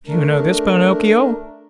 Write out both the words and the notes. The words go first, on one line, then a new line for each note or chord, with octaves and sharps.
"Do you know this Pinocchio?"
A3 D4 A#4